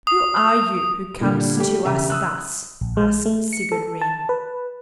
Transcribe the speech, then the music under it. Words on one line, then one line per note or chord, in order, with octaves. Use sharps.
"Who are you who comes to us thus?" asked Sigurd Ring.
D#6
A#2 D3 G3
G3 A3 G4
E1 C#3 G4 E5 A#5
D#6 E6 F#6
A#1
G#3
A3
C#7
A4
A5
B4